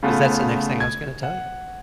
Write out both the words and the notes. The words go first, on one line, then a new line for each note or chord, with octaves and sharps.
'cause that's the next thing I was gonna tell ya.
C#3 A3 B3 F4
G#6
F#5